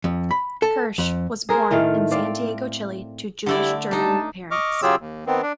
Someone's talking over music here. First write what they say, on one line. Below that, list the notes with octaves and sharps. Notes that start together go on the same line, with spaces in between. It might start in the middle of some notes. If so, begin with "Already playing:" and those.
Hirsch was born in Santiago, Chile, to Jewish-German parents.
F2
B5
A4
F2
G#4 A#4 C5
A2 D#3 A3 F5
C4 D5 F5
D3 G3 A3 E4 D5
G3 D4 D#4 A5
D#5 C#6 D6 F6
C#3 F#3 F4 G4 G#4 E6
D#2
D#3 B3 C4
D4